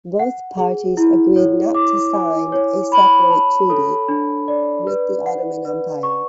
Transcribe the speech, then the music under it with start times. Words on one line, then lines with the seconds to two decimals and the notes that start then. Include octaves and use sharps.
Both parties agreed not to sign a separate treaty with the Ottoman Empire.
0.19 F#5
0.57 G#4
0.97 E4
1.36 C#5
1.74 D6
2.13 G#5
2.52 C#5
2.92 B5
3.30 A5
3.70 A4
4.09 D4
4.48 D5
4.87 B4
5.26 F#5
5.65 B4
6.03 C#6